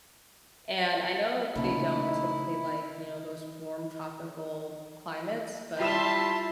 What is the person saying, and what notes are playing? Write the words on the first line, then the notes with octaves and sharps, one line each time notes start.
and I know they don't typically, like, you know, those warm tropical climates, but
A#2 C#3 A3 D#4 E4
G3 E4 F4 E5 A5 C6 E6 E7